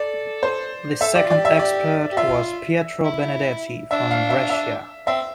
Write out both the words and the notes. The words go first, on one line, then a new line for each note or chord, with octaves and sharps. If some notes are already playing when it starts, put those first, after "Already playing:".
The second expert was Pietro Benedetti from Brescia.
Already playing: A4 D5
C5
A4 E5
G4 D5
F4
D5
G4
E5
D5
G4
F4 E5
E4
D4 E5
F5
E5
E5
C4 E5